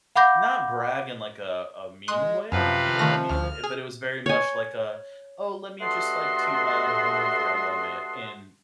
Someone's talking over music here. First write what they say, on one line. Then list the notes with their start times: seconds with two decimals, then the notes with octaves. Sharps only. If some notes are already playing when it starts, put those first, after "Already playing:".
not brag in, like, a a mean way, you know what I mean? Uh, but it was very much, like, a, "Oh, let me just, like, toot my own horn for a moment." and
0.16 F5 F#5 B5 D6 G6 A#6
2.08 G#3 C6 D#6 F#6
2.52 F#2 C3 F3 B4 F5
2.99 D#3 A3 A#6
3.29 D2 F6
3.64 G#4
4.26 C#5 G#5
5.81 G2 A3 F#4 A4 D#5 C6